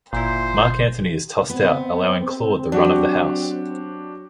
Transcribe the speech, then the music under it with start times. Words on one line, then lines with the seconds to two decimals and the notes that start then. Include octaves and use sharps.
Marc Antony is tossed out, allowing Claude the run of the house.
0.13 G1 A#2 E4 C5
1.50 B3 C4
2.72 F#3 D4 F#4 G4